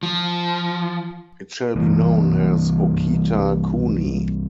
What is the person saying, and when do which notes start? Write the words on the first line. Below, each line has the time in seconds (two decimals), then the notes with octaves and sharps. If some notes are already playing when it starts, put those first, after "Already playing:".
It shall be known as Okita-Kuni!
0.03 F3
1.75 C2 E3 A#3